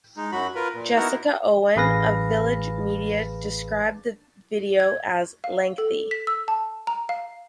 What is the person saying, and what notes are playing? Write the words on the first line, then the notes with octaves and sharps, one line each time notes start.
Jessica Owen of Village Media described the video as "lengthy".
G#3 D#4
F#2 F#3 F#4 B5
F4 A#4 B4
A#2
B3 D#4 E4 F#4 A#4 F#5
A1 G#4 B4 F5 A#6
G#6
F5
A4
B6
E6
A5
A#5
F5